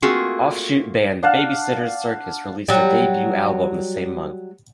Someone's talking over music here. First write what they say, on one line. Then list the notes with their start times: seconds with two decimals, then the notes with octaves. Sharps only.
Offshoot band The Babysitters Circus released their debut album the same month.
0.02 A3 A#3 C4 F4 F#4 G#4
1.23 D4 F5 F#5 A5
2.68 F#3 G3